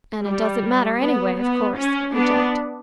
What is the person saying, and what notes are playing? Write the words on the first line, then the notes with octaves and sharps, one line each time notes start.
"And it doesn't matter, anyway, of course," he gibed.
G3
B3
B3
C#4
B3 D4